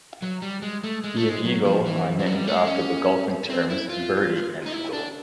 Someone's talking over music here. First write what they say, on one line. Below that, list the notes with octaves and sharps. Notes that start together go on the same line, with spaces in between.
He and Eagle are named after the golfing terms Birdie and Eagle.
F#3
G3
G#3
A3
G#3
A3
G#3
F#3
F3
E3
F3
F#3
G#3
G3
A3
G#3
C#4
C4
E4
F4
D#4
E4
D4